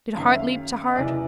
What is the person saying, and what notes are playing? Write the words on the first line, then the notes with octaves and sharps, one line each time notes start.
Did heart leap to heart?
F#1 F#2 D#3 F5
E5
F5
D#5
F#1 E2 C3 E3 D5